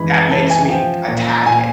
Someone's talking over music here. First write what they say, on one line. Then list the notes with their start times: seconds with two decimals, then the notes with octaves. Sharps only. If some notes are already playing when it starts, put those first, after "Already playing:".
that makes me attack it,
Already playing: F#2 E3 G#3 B5
0.12 A5
0.31 E3 A5
0.50 G#5
0.69 F3 G5
1.08 A#2
1.46 A#2 G#5